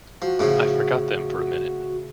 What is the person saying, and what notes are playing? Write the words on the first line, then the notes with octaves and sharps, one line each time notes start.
I forgot them for a minute.
F3 F#4
A2 C#3 F3